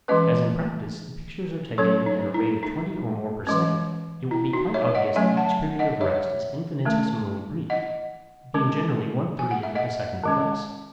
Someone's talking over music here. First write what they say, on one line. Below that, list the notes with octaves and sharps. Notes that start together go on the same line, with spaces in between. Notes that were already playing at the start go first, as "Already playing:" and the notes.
As in practice the pictures are taken at a rate of twenty or more per second, it will be quite obvious that each period of rest is infinitesimally brief, being generally one-thirtieth of a second or less.
E3 G#3 C#4 B4 D#5
F#3 C#4 A4 C#5
D#4
E4
D#4
E3 G#3 C#4
E4
D#4 F#4
C#5 E5
D#5 F#5
F#3 A3 C#4 E5 G#5
F#5 A5
D#5 F#5
C#5 E5
D#3 A3 C#4
D#5 F#5
D#3 G#3 C#4
G#5
F#5
E5
D#5 F#5
D#3 G#3 C#4